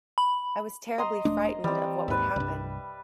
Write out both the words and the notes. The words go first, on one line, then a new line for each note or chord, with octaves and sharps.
I was terribly frightened of what would happen.
B5
D#5 A#5 C6
E1 A3 D4
E3 G3 C4
D#2 G#2 B4 E5
C2 G2